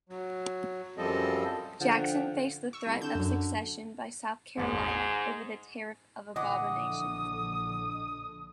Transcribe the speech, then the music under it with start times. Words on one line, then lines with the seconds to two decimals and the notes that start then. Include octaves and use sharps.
Jackson faced the threat of secession by South Carolina over the Tariff of Abominations.
0.09 F#3
0.98 F#2 F3 G3 C4 A4 D#5
1.80 D3 F3 F#5 G5
2.73 C#6 E6
2.86 C2
3.02 D3 G6 E7
3.15 F#2 F#3
4.57 E1 A1 G#2
4.88 G#5
6.36 A#1 D3 E3 D#5 F#5 D6 D#6